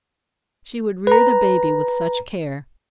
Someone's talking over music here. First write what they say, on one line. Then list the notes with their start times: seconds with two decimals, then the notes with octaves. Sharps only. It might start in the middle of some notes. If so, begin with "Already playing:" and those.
She would rear the baby with such care.
1.07 B4 A#5